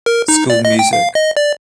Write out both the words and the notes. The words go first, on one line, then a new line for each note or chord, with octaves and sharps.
School music.
A#4
D#4
D5
D#5
G5
F5
D#5
D5